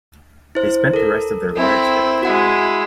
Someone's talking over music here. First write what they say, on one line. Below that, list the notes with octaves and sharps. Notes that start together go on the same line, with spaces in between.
They spent the rest of their lives there.
E4 C5
A4 A#4
C4 E4
G#3 E4 F#4 F#5